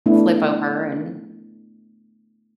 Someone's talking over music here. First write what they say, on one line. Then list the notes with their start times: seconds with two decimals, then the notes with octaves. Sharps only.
flip over and
0.06 A3 B3 D4 E4